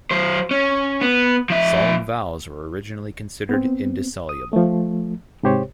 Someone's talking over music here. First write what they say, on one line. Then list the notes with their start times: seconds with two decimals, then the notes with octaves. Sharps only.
Solemn vows were originally considered indissoluble.
0.11 F#3 C5
0.51 C#4
1.01 B3
1.50 F3 E5
3.49 B3 C4
4.29 D#6
4.53 F3 A3
5.43 G#2 C3 G4 C5 C#5